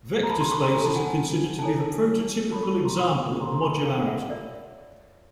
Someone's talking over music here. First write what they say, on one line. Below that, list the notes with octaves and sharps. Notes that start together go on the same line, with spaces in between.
Vector spaces are considered to be the prototypical example of modularity.
A#5
A5 B5
A#5 C6
B5 C#6
A#5 C6
C#4 F4 A4 G#5 A#5
A5 B5
F#5 G#5
F#5 G#5
A5
E4 A4 C#5 G#5 A#5
C#4 F4 A4 C#5 A5 B5
B5 C#6
A#5 C6
B5 C#6
C#4 F#4 A4 C5 A#5 C6
A#5 C6
A5 B5
G#5 A#5
F5 G5
E5 F#5
F4 A#4 C#5 D5 E5